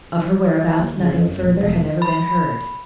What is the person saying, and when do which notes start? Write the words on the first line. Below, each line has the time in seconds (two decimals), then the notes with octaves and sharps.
Of her whereabouts nothing further had ever been heard.
0.79 D#2
1.01 C#3
1.14 F2
1.28 F#2
1.43 A#1
1.61 E1
2.02 B5